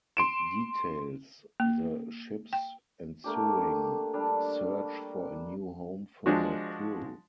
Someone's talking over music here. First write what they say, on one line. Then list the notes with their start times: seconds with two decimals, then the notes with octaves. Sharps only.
It details the ship's ensuing search for a new home for her crew.
0.17 C6 D7 E7
1.60 A#3
2.53 G5
3.24 A3 A#3 D4 G4
4.14 G3 D4
6.26 F3 G#3 D4 F#4